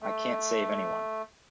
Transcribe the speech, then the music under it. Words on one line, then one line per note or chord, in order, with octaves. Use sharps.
I can't save anyone.
A3